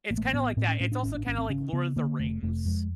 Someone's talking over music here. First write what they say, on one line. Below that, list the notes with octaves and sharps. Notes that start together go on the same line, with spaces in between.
It's kinda like that. It's also kinda, like, Lord of the Rings.
A1 A#3
A3
A#3
A2 B3
A2 C4
C#4
A2 C#4
D4
G#1 C#4
D4
G#1 C#4
C4
C#3 C#4
C#3 B3
D3 A#3
F1 A3
F1 A3
F2 G#3